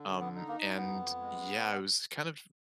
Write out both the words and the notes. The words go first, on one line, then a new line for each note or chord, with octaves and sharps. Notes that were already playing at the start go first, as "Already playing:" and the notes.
Um, and yeah, it was kind of
Already playing: D3
B3
D#4
A#3
F2 B3
G#3